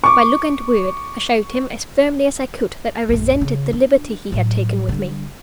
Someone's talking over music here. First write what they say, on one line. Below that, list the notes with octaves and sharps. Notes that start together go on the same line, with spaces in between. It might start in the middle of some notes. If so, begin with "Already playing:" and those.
By look and word, I showed him, as firmly as I could, that I resented the liberty he had taken with me.
C#6 D6
A#1 F#2
C#3
D4
A2 F#3
D3 G3